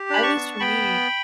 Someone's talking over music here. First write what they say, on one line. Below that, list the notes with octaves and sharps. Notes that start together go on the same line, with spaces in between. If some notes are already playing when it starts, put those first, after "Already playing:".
at least for me,
Already playing: G4
D4 B5
A5 C#6
B3
B3 G5 B5